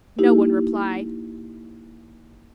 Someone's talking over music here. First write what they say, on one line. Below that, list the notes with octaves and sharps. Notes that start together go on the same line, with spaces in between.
No one replied.
A#3 D#4 E4 G4